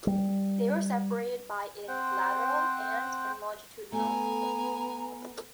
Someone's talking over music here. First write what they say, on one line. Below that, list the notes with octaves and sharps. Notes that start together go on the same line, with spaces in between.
They were separated by in lateral and in longitudinal.
G3
C4 C5 F#5 G5
A3 B3 G#5 A#5